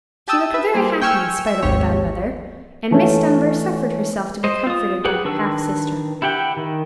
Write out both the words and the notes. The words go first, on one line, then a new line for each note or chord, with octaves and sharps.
She looked very happy, in spite of the bad weather, and Miss Dunbar suffered herself to be comforted by her half-sister.
G4 G5 A5 D#6 E6
B4 E5
G3 A#3 G#4 C5
G5 G#5 C#6 E6 F6
E5
G#1 D#2 G4 C#5
E3 A3 C#4 D#4
C5 D#5
F4 D#6
G4 G#4 B4 F#5
D#3 D4 B4 C#6 E6
E4 G4 F#5 G5
D#3